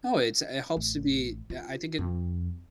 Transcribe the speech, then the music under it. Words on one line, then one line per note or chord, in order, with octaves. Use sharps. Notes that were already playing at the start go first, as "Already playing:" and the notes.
Oh, it's it helps to be I I think it
A1
F4
F2